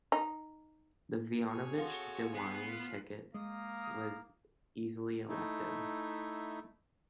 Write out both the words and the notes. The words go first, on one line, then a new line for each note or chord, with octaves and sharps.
The Voinovich-DeWine ticket was easily elected.
D#4
G#4 C#5
C4 F#4 A4 F5 C6
B3 F#6 C7
F4 B6
G#3 A#3 D#6
A3 D#4 E4